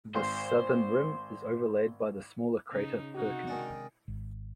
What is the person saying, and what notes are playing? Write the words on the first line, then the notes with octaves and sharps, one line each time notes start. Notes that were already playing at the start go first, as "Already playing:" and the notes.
The southern rim is overlaid by the smaller crater Perkin.
G#1 C5 C6
C#3 D#4
C3 D#4 F#4
D#3 G#3 D4
G#1